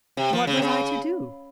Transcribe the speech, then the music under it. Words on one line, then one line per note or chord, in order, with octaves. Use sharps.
What was I to do?
C3
F3
C#3
C3
C#3